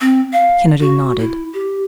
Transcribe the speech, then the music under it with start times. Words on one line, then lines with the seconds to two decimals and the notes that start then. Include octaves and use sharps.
Kennedy nodded.
0.01 C4
0.33 F5
0.80 F#4
1.19 E4
1.54 G4